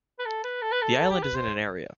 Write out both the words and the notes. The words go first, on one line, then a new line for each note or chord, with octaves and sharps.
The island is in area.
B4
A4
B4
A4
B4
A4
A4
G4
B4
C5